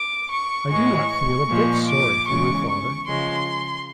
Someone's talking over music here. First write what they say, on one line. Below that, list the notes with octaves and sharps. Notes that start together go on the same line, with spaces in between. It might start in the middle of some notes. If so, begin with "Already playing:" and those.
I did not feel a bit sorry for my father.
Already playing: D6
C#6
A2 E3 G#3 C#6
A#2 F3 G#3
D6
E2 C#3 E3 G#3 C#4 C#6
C#6
C#3 F3 G#3 C6